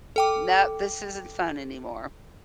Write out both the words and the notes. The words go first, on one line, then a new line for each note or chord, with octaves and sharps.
"No, this isn't fun anymore."
A4 G5 D6